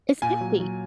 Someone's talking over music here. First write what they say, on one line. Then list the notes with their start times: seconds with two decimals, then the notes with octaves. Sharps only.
It's empty!
0.22 A#2 G#5
0.41 F#3
0.60 F#3